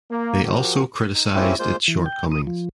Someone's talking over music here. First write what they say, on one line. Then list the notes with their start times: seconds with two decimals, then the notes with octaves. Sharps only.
They also criticised its shortcomings.
0.11 A#3
0.45 F3 F#4 G4 A#4
1.14 D#4
1.35 A3 C4 C#4 E4 F4 G4
1.59 G#3 A#3 F4 C5 G6
1.88 E3
2.06 G5
2.32 D#6
2.47 F3